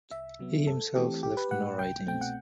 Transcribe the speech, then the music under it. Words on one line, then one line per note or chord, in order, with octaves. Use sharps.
He himself left no writings.
C2 E5
C3 F#3 B3
G2 A4
E3 A3 C4 G4
B1 G4
B4
A2 G3 F#5
C2 G5
B2 A3 C4 G5
F#5